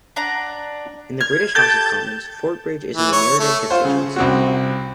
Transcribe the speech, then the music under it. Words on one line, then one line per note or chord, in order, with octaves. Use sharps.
In the British House of Commons, Fordbridge is in the Meriden constituency.
D4 F#5 A#5
F6 G#6
G4 A4 G6 A6
E3
C#5
A3
F4 C5
C#3
C2 C4 F#4